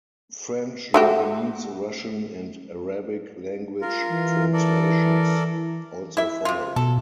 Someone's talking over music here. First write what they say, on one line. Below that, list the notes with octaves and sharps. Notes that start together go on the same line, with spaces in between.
French, Japanese, Russian, and Arabic language translations also followed.
A3 F#4 G4
F4 A#4
E3
A4 A#4 D5
E4 E5
C3 F4
B2 A4